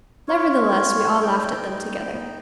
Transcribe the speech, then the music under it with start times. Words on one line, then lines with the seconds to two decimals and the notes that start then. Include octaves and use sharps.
Nevertheless we all laughed at them together.
0.28 F4 C#5
1.21 D#4 G5